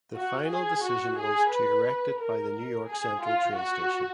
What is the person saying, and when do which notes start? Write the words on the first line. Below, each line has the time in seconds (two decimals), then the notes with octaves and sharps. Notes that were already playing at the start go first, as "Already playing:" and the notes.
The final decision was to erect it by the New York Central train station.
0.14 F#4
0.48 G#4
0.82 F#4
1.16 G#4
1.50 B4
2.19 A#4
2.87 G#4
3.21 F4
3.55 F#4